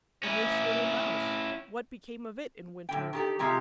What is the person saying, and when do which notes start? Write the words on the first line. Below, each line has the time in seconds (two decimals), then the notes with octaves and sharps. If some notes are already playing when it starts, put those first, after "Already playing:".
And this little mouse, what became of it in winter?
0.23 C#4 E4
2.89 A2 D3 G5
3.13 D#3 G4 A4
3.39 C3 F3 G#3 G4 A#5